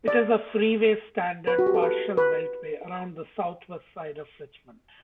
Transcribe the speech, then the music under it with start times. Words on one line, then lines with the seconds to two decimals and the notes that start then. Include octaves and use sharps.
It is a freeway-standard partial beltway around the southwest side of Richmond.
0.08 D5
1.47 B4
1.59 F#4
1.66 G4
1.74 A4
1.82 B4
2.17 B4